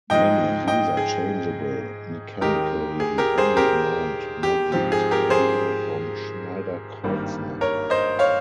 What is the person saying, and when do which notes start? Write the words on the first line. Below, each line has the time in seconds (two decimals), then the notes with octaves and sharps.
Many user-changeable mechanically-only mount modules available from Schneider Kreuznach.
0.10 G#2 F3 G#3 D#4 D#5 G5
0.68 D#5 G5
0.97 G#4
2.41 D#2 D#3 G#3 D#4 G4 A#4
3.00 G#4
3.18 G4 A#4
3.38 G#4 C5
3.57 G4 A#4
4.43 G4
4.72 G#2 F3 C4 G4
4.92 G#4
5.11 G4 A#4
5.30 G#4 C5
7.03 G#1 G2 D#3 G3 A#3
7.61 A#4 C#5
7.90 C5 D#5
8.19 C#5 F5